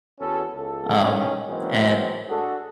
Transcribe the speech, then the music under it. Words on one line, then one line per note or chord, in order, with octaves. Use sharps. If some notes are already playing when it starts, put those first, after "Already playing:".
Um, and
E2 B3 C#4 F#4 A4
C#2 A4
E2 G2 D#3 C#4
E3 F#3 G#3 A#3 C4 C#4
D4 F#4 G#4 A4